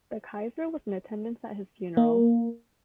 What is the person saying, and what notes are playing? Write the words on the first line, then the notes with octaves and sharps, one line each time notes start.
The Kaiser was in attendance at his funeral.
A#3